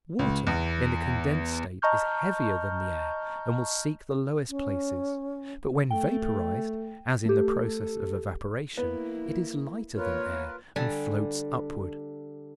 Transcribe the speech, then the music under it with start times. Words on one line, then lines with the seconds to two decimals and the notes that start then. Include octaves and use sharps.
Water in the condensed state is heavier than the air and will seek the lowest places, but when vaporized, as in the process of evaporation, it is lighter than air and floats upward.
0.19 C#2
0.47 E2
1.82 D#5 A5 A#5 C#6 F6 G6
4.49 C#4
5.91 A3 G5
7.26 A3 G4 A4
8.77 A#3 B3 E4
9.97 A#3 F4 A#4 B4 C#5
10.76 D3 G3 G#5 A5